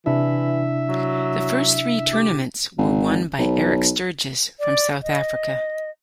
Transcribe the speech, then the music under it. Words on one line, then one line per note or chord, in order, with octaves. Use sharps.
The first three tournaments were won by Eric Sturgess from South Africa.
C3 E3 D4 E4 E5
F#3
G4
G#1
B1
D5
D#5